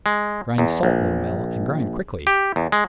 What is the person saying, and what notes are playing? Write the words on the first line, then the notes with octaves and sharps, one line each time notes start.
"Grind salt, Little Mill, and grind quickly!"
G#3
E2
A#1
G4
E2
G#3